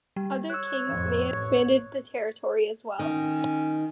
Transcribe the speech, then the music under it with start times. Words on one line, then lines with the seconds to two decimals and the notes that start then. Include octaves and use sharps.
Other kings may have expanded the territory as well.
0.16 G3
0.50 C#5 E6 F#6
0.87 F2 A2
1.31 A1 C#5
2.99 D#3 C#4